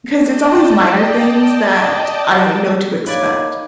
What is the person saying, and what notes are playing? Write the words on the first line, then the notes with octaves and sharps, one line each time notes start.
'Cause it's always minor things that I know to expect.
D5 D#5 G5 A5
A#3 D#4 B4 C#5 D5 G#5